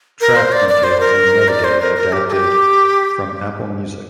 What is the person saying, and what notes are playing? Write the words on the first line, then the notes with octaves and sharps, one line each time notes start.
Track details and metadata adapted from Apple Music.
A#4
C5
D5
D5
C5
A#4
D5
C5
A#4
A#4
G4
A4
G4